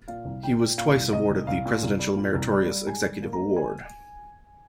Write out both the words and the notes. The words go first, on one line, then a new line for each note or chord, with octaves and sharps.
He was twice awarded the Presidential Meritorious Executive Award.
A#2 F5
C2
A#2 G5
A#2
A#2 F5
C2
C2 D#5
C2
C2 F5
A#2
C2
G3
A#2
C2
G3
G3
G#2 G#5
G3
A#3
A#5
A#3
G#5